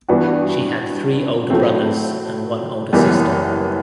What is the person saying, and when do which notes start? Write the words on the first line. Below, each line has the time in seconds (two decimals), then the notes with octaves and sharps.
She had three older brothers and one older sister.
0.09 G2 E3 B3 D4 F#4
1.50 A2 F#3 A3 C4
2.93 F#1 F#2 E3 G3 B3